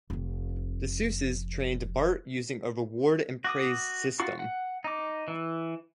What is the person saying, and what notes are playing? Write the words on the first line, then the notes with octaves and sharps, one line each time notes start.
The Seuses trained Bart using a reward and praise system.
F1 F2
F#4 D6 D#6
F4 F#4 C#6
F#5
D#4 D6
E3